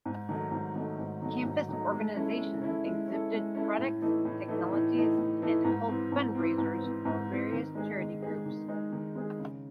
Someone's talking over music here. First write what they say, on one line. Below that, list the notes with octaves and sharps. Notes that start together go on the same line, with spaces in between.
Campus organizations exhibited products, technologies, and hold fund raisers for various charity groups.
G#2
D#3 F#3 A3 D#4
G#2
D#3 F#3 A3 D#4
G#2
D#3 F#3 A3 D#4
G#2
D#3 F#3 A3 D#4
G#3
C#4 E4 A4
G#3
C#4 E4 A4
G#3
C#4 E4 A4
G#3
C#4 E4 A4
A2
E3 A3 D#4
A2
E3 A3 D#4
A2
E3 A3 D#4
A2
E3 A3 D#4
G#2
E3 C4
G#2
E3 C4
G#2
E3 C4
G#2
E3 C4
D#3
G#3 D#4 G#4
D#3
G#3 D#4 G#4
D#3
G#3 D#4 G#4
D#3
G#3 D#4 G#4
C#3